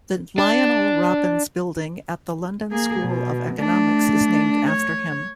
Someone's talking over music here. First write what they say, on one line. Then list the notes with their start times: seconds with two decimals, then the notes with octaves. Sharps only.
The Lionel Robbins Building at the London School of Economics is named after him.
0.38 D4
2.72 A#3 G#4
3.02 B2
3.55 A3 D4
4.70 C#5